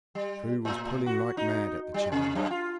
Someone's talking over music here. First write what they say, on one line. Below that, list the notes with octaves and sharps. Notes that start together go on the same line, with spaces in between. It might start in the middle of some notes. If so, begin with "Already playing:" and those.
True was pulling like mad at the chain.
G3
A2
F#4
D#4
G3
C3
F#2
F4